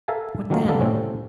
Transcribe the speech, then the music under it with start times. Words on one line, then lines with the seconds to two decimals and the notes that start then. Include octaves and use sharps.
"What then?"
0.08 A4 A#4 E5 F5 G#5 A5
0.50 D#3 F#3 A3 C#4 D#4 F4
0.68 G3 A#3 B3 A4 D5 F5
0.80 A2 C3 C4 C#4